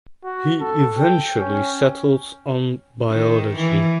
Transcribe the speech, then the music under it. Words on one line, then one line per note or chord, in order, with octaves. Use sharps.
He eventually settled on biology.
F#4
A4
G5
C#4
D#3
E3